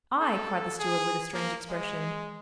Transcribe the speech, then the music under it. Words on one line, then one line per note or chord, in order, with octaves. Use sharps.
"I," cried the steward with a strange expression.
A4
G#4
A#3
G#3